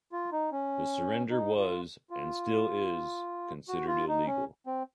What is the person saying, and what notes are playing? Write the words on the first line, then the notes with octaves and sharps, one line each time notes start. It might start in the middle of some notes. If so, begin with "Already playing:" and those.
This surrender was, and still is, considered illegal.
F4
D#4
C#4
D#4
F4
F4
F#4
F4
D#4
C#4
C4